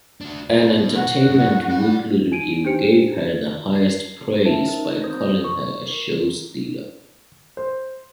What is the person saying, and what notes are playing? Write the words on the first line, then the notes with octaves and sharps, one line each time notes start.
An "Entertainment Weekly" review gave her the highest praise by calling her a show-stealer.
D4 F#4
B2
F#4 F#5
F#2 A2
D5 G5
D#4 D7 D#7
D4 D#4 G4 C5 C#7
G#6 C7
C#4 B4 C5 E5 A5
D#4 A#4
C4 C5 D#6 G6 G#6 A#6
C#6
A#4
C5